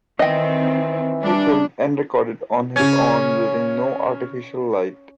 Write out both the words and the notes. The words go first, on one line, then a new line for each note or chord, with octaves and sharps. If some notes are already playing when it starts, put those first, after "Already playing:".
He filmed and recorded on his own, using no artificial light.
D#3 E3 C4 D#5 G5
G3 D4
C#3 C#4 G#6